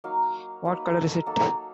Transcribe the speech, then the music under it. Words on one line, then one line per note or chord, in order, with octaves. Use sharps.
What color is it?
F#3 A#3 D#4 F5
F#3 A#3 D#4 B4
A4
A#4
F#3 A#3 D#4 A4